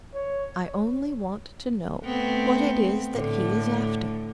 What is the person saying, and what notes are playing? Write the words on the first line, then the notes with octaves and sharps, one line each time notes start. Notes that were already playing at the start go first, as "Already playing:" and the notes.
I only want to know what it is that he is after.
C#5
A3 B3 C4
A2 D3